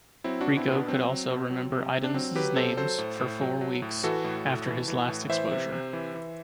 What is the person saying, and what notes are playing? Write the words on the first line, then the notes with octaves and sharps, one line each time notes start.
Rico could also remember items' names for four weeks after his last exposure.
F#3 C4 E4
D4 F#4
B2
C4 E4
B2 B3 D4
F#3 C4
F#3
B2
F#3
C3
C3
D4
F#3 C4
F#3 G4 B4
C3 A4 C5
F#3 A4 C5
A2
A2
F#3
F#3
A2
E3 F#4 A4
A2
A2
E3
E3
A2
E3 C5 E5
C3
C3
E3
E3